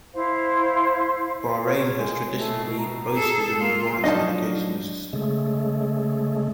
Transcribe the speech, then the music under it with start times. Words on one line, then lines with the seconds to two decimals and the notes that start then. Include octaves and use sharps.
Bahrain has traditionally boasted an advanced educational system.
0.14 E4 C5 F5
1.66 C#5
1.98 G#3
2.37 B2 A3
2.78 A#5
3.12 G#4 A4
3.60 A#3 F4
4.04 F3 F#3 D4 D#4 D#5 A5
5.13 C#3 G#3 A3